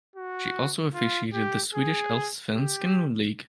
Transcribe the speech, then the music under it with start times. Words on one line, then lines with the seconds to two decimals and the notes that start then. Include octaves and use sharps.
She also officiated in the Swedish Allsvenskan league.
0.16 F#4
0.94 F4
1.34 G4
1.74 G#4
2.52 G4